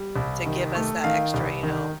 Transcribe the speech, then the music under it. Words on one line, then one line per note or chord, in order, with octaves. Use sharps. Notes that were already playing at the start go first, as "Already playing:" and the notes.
to give us that extra, you know,
Already playing: G3
C2
D#3
A3
D#3 F5
C2
D#3